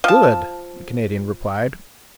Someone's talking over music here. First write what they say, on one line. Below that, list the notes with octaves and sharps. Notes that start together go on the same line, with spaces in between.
"Good!" the Canadian replied.
F3 A5